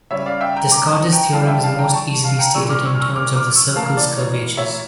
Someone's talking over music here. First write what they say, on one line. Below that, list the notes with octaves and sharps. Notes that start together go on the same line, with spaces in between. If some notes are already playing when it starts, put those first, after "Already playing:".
Descartes' theorem is most easily stated in terms of the circles' curvatures.
C#3 G3 C#4 C#5 E5
D5 F5
E5 G5
G5 A#5
A#5 D6
A5 C#6
G5 A#5
E3 G3 D4 F5 A5
E5 G5
F5 A5
G5 A#5
A5 C#6
F5 A5
G5 A#5
A#2 G3 D4 C#6 E6
D6 F6
C#6 E6
F6
C#6 E6
D6 F6
D6 F6
C#6 E6
A2 E3 A#3 F5 A5
D5
C#5
C#5 E5